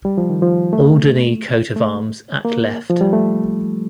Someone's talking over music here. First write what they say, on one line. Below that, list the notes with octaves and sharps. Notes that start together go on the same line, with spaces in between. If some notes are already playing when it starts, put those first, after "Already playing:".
Alderney coat of arms at left.
G3
F3
D#3
F3
A3
A3
A#3
F3
G3
A3